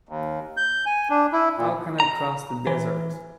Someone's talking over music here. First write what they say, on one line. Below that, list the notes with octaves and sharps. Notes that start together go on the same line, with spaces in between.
How can I cross the desert?
D#2
G6
G#5
D4
E4
A#2
A#5
E3